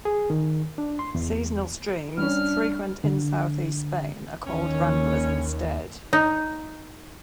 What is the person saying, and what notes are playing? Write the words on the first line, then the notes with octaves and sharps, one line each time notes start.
Seasonal streams, frequent in south-east Spain, are called "ramblas" instead.
G#4
D#3
D4
C6
E2
G3 C#4 D4 F6
D3
D#2 C#4
D#4